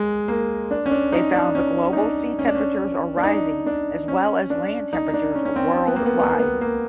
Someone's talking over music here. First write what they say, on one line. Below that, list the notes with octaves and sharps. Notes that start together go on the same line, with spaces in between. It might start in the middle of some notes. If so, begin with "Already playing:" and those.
They found the global sea temperatures are rising as well as land temperatures worldwide.
Already playing: G#3
A#3
D4
C#4
D4
D#4
D4
C#4
D#4
D4
C#4
D4
C#4
D4
D#4
D4
C#4
D4
D#4
D#4
D4
C#4
C#4
C4
C4
B3
A#3
B3
B3
A#3
B3
A#3